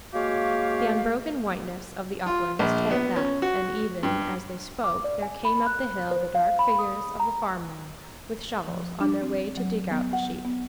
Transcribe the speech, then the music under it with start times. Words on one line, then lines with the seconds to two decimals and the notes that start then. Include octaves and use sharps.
The unbroken whiteness of the uplands told that, and, even as they spoke, there came up the hill the dark figures of the farm men with shovels, on their way to dig out the sheep.
0.13 G#3 A#3 F#4 G4 C#5 F5
2.26 F4
2.59 A#1
2.91 B3
3.16 C#4
3.42 F#4
4.03 G2
4.84 D6
5.04 D5
5.22 G#5
5.45 B5
5.66 F#6
6.11 C5
6.35 F5
6.59 B5
6.79 D#6
7.20 A#5
8.67 F3
9.01 D4
9.22 C4
9.57 F#3
9.91 B3
10.13 F#5
10.45 B3